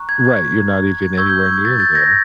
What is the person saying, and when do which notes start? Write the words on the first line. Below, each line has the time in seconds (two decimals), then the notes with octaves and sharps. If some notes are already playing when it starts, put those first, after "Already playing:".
Right. You're not even anywhere near there.
Already playing: A#5 C#6 F#6
0.09 G#6
1.17 C#6 E6 G6 G#6
1.30 G6
1.42 G6
1.52 G#6
1.65 G6 A6
1.80 G6 A6
1.95 G#6 A#6